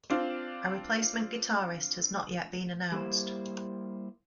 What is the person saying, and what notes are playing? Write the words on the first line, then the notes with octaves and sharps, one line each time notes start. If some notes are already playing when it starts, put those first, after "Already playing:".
A replacement guitarist has not yet been announced.
C4 D4 F4
G3 A#3 D#4 E4 C5